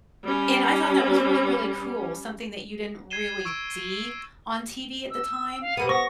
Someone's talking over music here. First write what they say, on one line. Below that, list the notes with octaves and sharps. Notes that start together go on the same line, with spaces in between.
and I thought that was really, really cool, something that you didn't really see on TV at the time,
G3 C#4
G#6 C7 D#7 E7 G7
C#6 E6 D7
E6
F5
C3 A#3 B3 D#7
B3 C#6 A#6